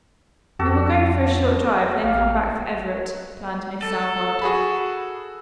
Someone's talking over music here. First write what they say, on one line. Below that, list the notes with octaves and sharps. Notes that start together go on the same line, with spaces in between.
"We will go for a short drive, then come back for Everett," planned Miss Southard.
F2 F#4 G4 A4
A1 G4 F5
A4
F#4 G#4 B5